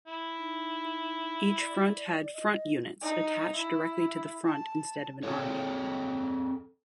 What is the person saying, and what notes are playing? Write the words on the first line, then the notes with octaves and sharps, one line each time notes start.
Each front had "front units" attached directly to the front instead of an army.
E4
D#4
D5
D#5
D#4
E4
A5
C4 G#4 A4 C#5